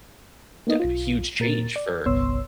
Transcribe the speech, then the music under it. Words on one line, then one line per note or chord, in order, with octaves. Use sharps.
d huge change for
A#3 B3 D#4 D#5
B1 F4
A#2 A#4 A6
D5
G1 C2 B3 C#5 C6 E6